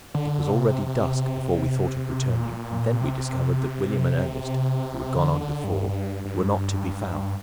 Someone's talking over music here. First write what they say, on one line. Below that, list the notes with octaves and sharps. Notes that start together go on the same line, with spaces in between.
It was already dusk before we thought of returning; and then we discovered that William and Ernest, who had gone on before, were not to be found.
D3
C3
C3
A#2
C3
D3
D3
G2
G2
G2